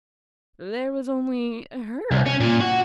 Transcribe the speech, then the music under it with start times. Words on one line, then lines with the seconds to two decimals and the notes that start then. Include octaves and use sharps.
"There was only HER."
2.11 C2
2.26 C#4
2.40 A#2
2.61 F#4